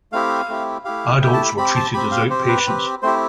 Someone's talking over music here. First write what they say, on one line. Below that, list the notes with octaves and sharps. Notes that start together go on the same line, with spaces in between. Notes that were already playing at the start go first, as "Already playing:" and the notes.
Adults were treated as outpatients.
A3 C4 E4 G4 F5
A3 C4 E4 G4
A3 E4 G4 F5
A3 E4 G4 G5
A5
B5
C4 G4 B5
A5
C4 G4 B5
F5
C4 G4 C5
B4
C4 G4
A3 C4 E4 G4 C5